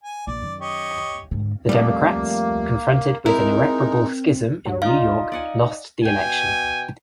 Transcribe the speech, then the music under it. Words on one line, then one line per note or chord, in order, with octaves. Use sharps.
The Democrats, confronted with an irreparable schism in New York, lost the election.
G#5
A#1 D5
F#2 D#3
G4 C#5 D#5
G#2 D3
F2 G3 A3 A#3
G#3 C4 D#4 E4 A#4
F#3
D#4 F4 D5 F5
D5 F#5 G#5
B2 G5 G#5